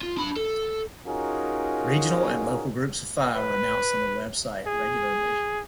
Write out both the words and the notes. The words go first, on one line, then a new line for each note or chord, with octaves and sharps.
Regional and local groups of Fi were announced on the website regularly.
F4
D4 B5
A4
C#4 D#4 F4 F#4 G#4 A#4
B4
G#4